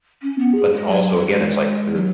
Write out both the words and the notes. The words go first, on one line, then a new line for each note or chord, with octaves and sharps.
but also, again, it's like there,
C#4
B3
G#4
G#3
F#3
F#3
G#3
F#3